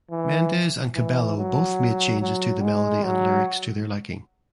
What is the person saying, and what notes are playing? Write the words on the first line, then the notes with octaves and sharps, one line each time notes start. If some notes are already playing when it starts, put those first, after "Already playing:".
Mendes and Cabello both made changes to the melody and lyrics to their liking.
E3
E3
F#3
F#3
G#3
F#3